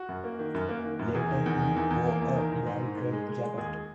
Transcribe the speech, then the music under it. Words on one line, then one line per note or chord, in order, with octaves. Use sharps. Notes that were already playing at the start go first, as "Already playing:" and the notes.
Later, he wore a bright red jacket.
Already playing: F#4
F#2
A#3
D#3
F#2
A#3
D#3
F#2
E2 G#4
D#3
E2
D#3
E2
E2
A#3
E2
D#3 A#4
G#2
G#2
G#2
G#3
G#3
G#3
G#3
D#2 G#4